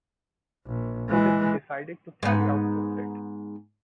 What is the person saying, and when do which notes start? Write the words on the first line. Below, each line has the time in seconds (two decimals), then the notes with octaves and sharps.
So they decided to carry out the threat.
0.66 A#1
1.09 E3 G#3
2.23 G#2 B3